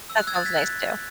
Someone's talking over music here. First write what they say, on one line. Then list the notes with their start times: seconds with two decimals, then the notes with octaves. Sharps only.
That sounds nice too.
0.10 E6
0.18 F#6
0.27 E6 G#6
0.36 F#6 A6
0.45 G#6 B6
0.54 F#6 A6